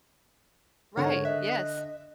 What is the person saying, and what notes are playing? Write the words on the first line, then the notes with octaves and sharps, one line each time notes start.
Right, yes.
G#2 D3 A#4 C#5 F#5
D#5 E5 F#6